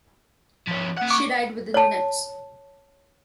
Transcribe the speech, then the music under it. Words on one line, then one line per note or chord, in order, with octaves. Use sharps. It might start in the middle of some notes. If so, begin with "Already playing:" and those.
She died within minutes.
F3 C#4
A#3 F#5
C#6 D6
C#5 A5